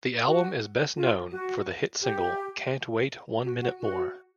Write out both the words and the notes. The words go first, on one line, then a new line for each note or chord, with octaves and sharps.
The album is best known for the hit single "Can't Wait One Minute More".
F#4
F4
F#4
G4
F#4
F#4
F#4